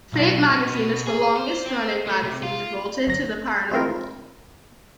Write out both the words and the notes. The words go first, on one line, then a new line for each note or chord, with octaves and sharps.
"Fate" magazine is the longest-running magazine devoted to the paranormal.
B1
B2
B2
G#4
C5
C4
A3
C3
F4
G1 F#3 A#6
G#3 A3 C4 F4 A#4